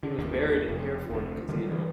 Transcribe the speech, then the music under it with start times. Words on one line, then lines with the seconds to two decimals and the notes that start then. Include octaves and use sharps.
He was buried in Hereford Cathedral.
0.03 D3
0.18 G1 D#2 D3
0.68 F1
1.10 F1 D2
1.49 D3 D#3 F#3 G3
1.71 G2 E3 G3